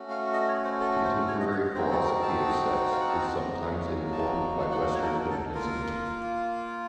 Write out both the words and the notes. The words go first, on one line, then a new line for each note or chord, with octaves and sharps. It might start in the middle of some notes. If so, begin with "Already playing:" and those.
Contemporary philosophy of sex is sometimes informed by Western feminism.
Already playing: A3 C#4 F#4
F5
D#5
C#5
C5
A4
C5
C#5
D#5
D#5
C4 D#4 F#4 C5
A4
A#4
A5
F5
F#5
A5
A#5
F#3 A#3 D#4 F#4
A5
A5
F#5
C#5
A4
A#4
A4
A#3 F4 A#4